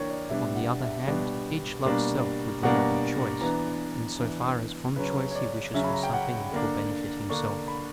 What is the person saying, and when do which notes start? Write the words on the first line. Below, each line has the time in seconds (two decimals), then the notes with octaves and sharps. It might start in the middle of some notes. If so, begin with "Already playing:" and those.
On the other hand, each loves self with the love of choice, in so far as from choice he wishes for something which will benefit himself.
Already playing: E3 A#3 D4 A#4 C#5 G5
0.10 D5
0.29 B2 G3 B3 D4 E5
0.55 F#5
0.82 E5
1.07 B2 G3 B3 D4
1.85 B2 G3 A#3 D4
2.63 B2 G3 A#3 D4 F#5
3.41 E3 B3 D4 A#5
4.19 E3 B3 D4
4.96 C#3 F#3 C#4 B4
5.31 C#5
5.35 D5
5.74 C#3 F#3 C#4 E5
5.84 B5
5.94 A#5
6.03 G5
6.13 F#5
6.52 D3 A#3 D4
7.30 D3 A#3 D4 C#6
7.68 B5